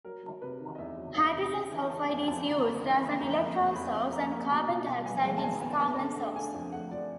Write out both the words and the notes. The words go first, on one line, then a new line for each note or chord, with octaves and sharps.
Hydrogen sulfide is used as an electron source and carbon dioxide its carbon source.
F#3 A#4
F#3
C3 B4
D#3
D#5
E2 E5
F#3
E2 F5
C3
C#3 G5
E3 G#5
C#3 A5
F2 G#5
G#5
F2 A5
F2 A#5
C#3 B5
E3
A#3 B5
F2 A#5
A#3 B5
F2
F2 B5
F2
A#3 A#5
A#3 A#5
B2 A#5
B2
B2 A5
B3 G#5
G#5
G#3 G5
A5
B3 G#5
B3 G#5
B3 A5
D3 A5
A3
G5
D3 G#5
F2
A3 F#5
F3 D5